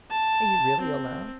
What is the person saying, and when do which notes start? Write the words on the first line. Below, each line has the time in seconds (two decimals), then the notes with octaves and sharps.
Are you really alone?
0.11 A5
0.81 C4